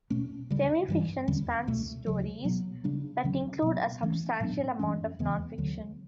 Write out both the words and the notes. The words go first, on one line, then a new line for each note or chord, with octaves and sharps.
Semi-fiction spans stories that include a substantial amount of non-fiction.
B2 A3 C#4
D2 C#3 G3
G2 E3 G3
E2 D3 G3 C#4
C#2 B2 A3
D2 C#3 F#3
B2 F#3 B3
C#3 G3 D4
D2 C#3 F#3 C#4
B2 F#3 B3
G2 E3 A3 C#4
A2 F#3 B3 D4
F#2 E3 G3 C#4
E2 C#3 E3 B3
D2 D3 F#3